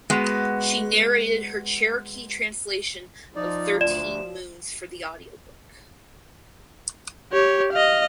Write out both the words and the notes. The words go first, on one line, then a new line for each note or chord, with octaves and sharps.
She narrated her Cherokee translation of "Thirteen Moons" for the audio book.
G#3 B3 F#4
F3 D#4 D5
D2 D5 E7
G4 C#5
D#5 F5